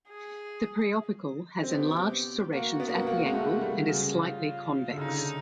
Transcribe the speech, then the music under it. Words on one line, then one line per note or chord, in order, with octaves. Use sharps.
The preopercle has enlarged serrations at the angle and is slightly convex.
G#4
C4
B3 G4
A#3 F#4
B3
A#3
B3
A#3
G#3
A3
G3
C#3
F4
D3
C#3 D#4